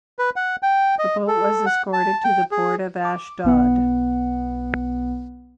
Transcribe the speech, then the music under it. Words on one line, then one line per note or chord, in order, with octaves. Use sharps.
The boat was escorted to the port of Ashdod.
B4
F#5
G5
D#5
A4
F#5
A5
G5
G#4
D6
B1 B3 F#5